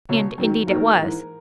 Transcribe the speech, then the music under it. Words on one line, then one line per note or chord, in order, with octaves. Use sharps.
And indeed it was.
C#2 B2 F#3 C#5
F#2 D#3 F#3
D#2 D#3 F#3 A#4
G#2 E3